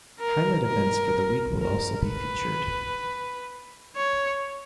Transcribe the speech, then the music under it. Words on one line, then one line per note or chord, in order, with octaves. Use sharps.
Highlight events for the week will also be featured.
A#4
A#4
A#4
B4
C#5